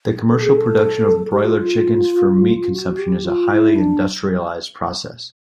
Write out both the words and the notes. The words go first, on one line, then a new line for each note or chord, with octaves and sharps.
The commercial production of broiler chickens for meat consumption is a highly industrialized process.
A4
G#4
A4
G4
F4
F4
F#4
G4
F4
E4
D4